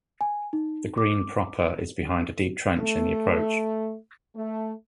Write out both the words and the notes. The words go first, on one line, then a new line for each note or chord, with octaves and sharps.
The green proper is behind a deep trench in the approach.
G#5
D#4
D6
A3
A3